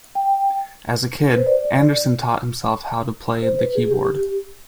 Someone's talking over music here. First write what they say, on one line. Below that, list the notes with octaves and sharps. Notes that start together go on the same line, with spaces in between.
As a kid, Andersson taught himself how to play the keyboard.
G5
B4
C5
D5
C5
B4
G#4
G4